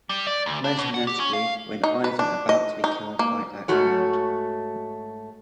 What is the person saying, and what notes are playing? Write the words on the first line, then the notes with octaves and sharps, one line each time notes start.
Most notably, when Ivan about to be killed by Achmode.
G3
D5
D2
D4
B2
F#5
G4
C#4
F5
D#4
B4
D4
D#5
D#4
A#3
G#2 A3 F#4 C#5